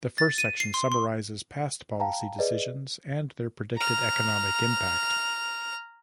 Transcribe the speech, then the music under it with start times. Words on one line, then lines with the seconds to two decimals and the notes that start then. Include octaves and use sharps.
The first section summarizes past policy decisions and their predicted economic impact.
0.18 A6
0.38 D#7
0.60 C7
0.74 C6
0.92 C6
2.00 F5 G5 A5 A#5
2.39 G#4 B4 D5 D#5
3.77 A#5 F6